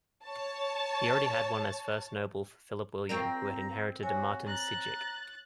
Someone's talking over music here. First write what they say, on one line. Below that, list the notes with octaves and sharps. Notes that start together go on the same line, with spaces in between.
He already had one as First Noble for Philip William, who had inherited Maartensdijk.
C#5 A5
C4 F4 A#4 D5 A#5 C#6
F#4 C#5 G#5
A#5 F#6 A6